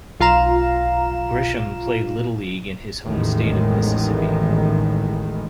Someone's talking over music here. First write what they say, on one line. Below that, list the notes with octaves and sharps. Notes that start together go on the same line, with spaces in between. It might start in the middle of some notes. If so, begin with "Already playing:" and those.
Grisham played Little League in his home state of Mississippi.
B1 F4 F5 A#5 E7
A1 E2 A2 D#3 G#3